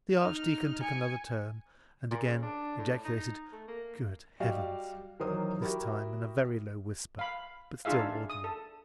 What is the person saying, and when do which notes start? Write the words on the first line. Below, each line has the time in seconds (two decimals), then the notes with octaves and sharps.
The archdeacon took another turn, and again ejaculated, "Good heavens!" this time in a very low whisper, but still audible.
0.20 D#4 F6
0.83 G#5 C#7
2.11 A#2
2.24 C#3
2.43 D4
2.79 A2
3.05 D#4
3.53 A3
3.68 A#3
4.40 G3 F#4 D5 D#5 F5
5.20 D#3 E3 F#3 A#4 C5 D#6
5.62 E4 F#4 G4 A#4 B5
7.19 F5 B5
7.85 D4 D#4 F4 G#4 E5 F5
8.30 D#6
8.44 A4